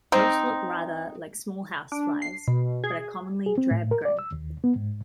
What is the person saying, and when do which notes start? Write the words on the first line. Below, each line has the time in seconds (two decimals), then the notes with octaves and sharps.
Most look rather like small houseflies, but are commonly drab grey.
0.12 C4 D#4
1.92 D4
2.22 C7
2.48 B2
2.84 G#4
3.46 G#4
3.58 C4
3.71 A2
3.91 A#4
4.05 D5
4.19 E6
4.32 D#2
4.64 B3
4.76 G#2